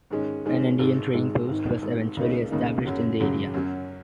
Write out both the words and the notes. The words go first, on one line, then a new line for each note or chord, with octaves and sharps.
An Indian trading post was eventually established in the area.
G#2 D#3 G#3 C#4
G#2 D#3 G#3 C#4
G#1 G#2 G#3
G#1 G#2 G#3
G#1 G#2 D#3
G#1 G#2 D#3
C#2 C#3 A#3 D#4
C#2 C#3 A#3 D#4
F#2 C#3 F#3
F#2 C#3 F#3
F#2 F#3 C#4